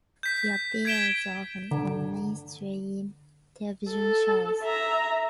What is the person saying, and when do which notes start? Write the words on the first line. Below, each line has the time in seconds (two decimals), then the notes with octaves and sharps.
He appears often on mainstream television shows.
0.23 G6 B6
0.85 G#6 B6 D7 E7 G7
1.71 D3
3.89 A4
4.62 E5 A#5